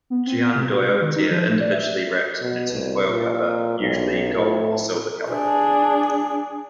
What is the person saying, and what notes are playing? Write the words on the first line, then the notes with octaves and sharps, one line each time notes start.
Gianduiotti are individually wrapped in a tinfoil cover, usually gold or silver-colored.
B3
C4
B3
C3
F#4
G#3
D#3
D#4
F3
A3
D5
E5
B2
C2
A#2
B1
A2
D4 G#4